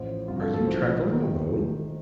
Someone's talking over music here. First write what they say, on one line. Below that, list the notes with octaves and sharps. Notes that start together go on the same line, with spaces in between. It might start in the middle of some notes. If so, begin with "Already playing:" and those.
"Are you traveling alone?"
Already playing: A1 A2 F3 C5
C2 C3 F3 F4
F#4
A4
A4
A#1 A2 F3 C5
D#3